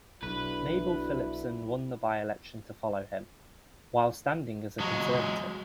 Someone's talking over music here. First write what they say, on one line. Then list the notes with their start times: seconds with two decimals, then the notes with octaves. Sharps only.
Mabel Philipson won the by-election to follow him, while standing as a Conservative.
0.23 B1 D4 E4 F#4 B4
4.80 F#3 G#3